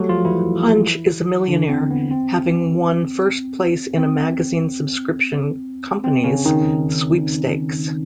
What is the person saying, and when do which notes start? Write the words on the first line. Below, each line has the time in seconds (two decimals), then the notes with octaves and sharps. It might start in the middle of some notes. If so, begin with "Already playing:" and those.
Hunch is a millionaire, having won first place in a magazine subscription company's sweepstakes.
Already playing: F#3 G3 A3 F#4 G4 A4
0.09 F3 F4
0.25 E3 E4
1.48 D3 D4
1.69 C4
1.90 B3
2.11 C4
3.97 C4
6.04 C4
6.24 C#3 C#4
6.45 D#3 D#4